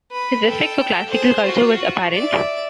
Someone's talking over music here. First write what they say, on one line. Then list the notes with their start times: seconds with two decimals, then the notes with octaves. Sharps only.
His respect for classical culture was apparent.
0.12 B4
0.46 A4 G5
1.10 G#4 C5
1.43 F4 F#4
2.12 D5 E5